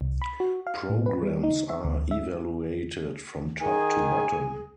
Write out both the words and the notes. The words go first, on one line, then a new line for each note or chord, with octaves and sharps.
Programs are evaluated from top to bottom.
C2
B5
F#4
F5
A2
B4
G3
D#4
E5
D2
E5
D#3 G#4 G#5